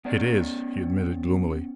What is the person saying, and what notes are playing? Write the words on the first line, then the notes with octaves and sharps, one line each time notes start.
"It is," he admitted gloomily.
B3 C#4 D5